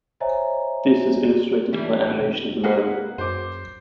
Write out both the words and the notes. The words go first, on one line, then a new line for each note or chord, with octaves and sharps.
This is illustrated in the animation below.
C5 C#5 D#5 E5 G#5 A#5
E3 G3
D4
C3
A#3 G#4 B4 F#5
F#2 C5 D6